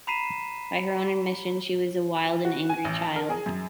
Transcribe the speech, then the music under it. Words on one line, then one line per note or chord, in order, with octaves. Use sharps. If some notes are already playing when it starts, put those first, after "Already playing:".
By her own admission, she was a wild and angry child.
A#5 B5 B6 C7 D#7 E7
F#4
G#5
A1
A5
A#4
G#4
F#2